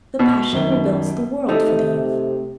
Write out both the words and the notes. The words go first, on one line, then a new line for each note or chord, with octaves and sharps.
The passion rebuilds the world for the youth.
B2
F#2 D#3 G7
C3 A3 D#4